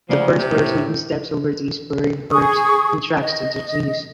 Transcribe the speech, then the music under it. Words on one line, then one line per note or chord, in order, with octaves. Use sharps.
The first person who steps over these buried herbs contracts the disease.
C#2 F3 A3 D5
C3
A2 A3
G#4 C#6 D#6
D#5